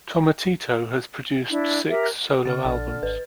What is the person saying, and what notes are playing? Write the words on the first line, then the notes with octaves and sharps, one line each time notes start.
Tomatito has produced six solo albums.
D4 E4
G4 A#4 E5
C#3 F6 A6
A#1 D3
G#1 B4